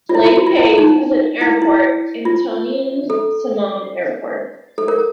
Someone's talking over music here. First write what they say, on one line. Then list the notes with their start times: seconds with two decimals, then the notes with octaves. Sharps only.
Les Cayes has an airport, Antoine-Simon Airport.
0.09 F4
0.15 E4
0.26 F4
0.36 F#4
0.47 F4
0.57 E4
0.78 D#4
1.41 E4
1.62 E4
2.25 F4
3.10 A4
4.78 A4
4.88 A#4